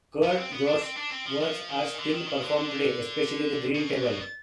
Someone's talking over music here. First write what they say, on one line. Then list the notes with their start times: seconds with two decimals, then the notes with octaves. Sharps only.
Kurt Jooss works are still performed today, especially "The Green Table".
0.24 B3
0.38 C4
0.53 B3
0.67 D4
0.82 C4
0.97 D4
1.11 C4
1.26 F3
1.41 F3
1.70 D#3
1.99 D3
2.14 D#3
2.28 D#3
2.43 D3
2.57 D3
3.75 B2
3.90 G#2
4.05 B2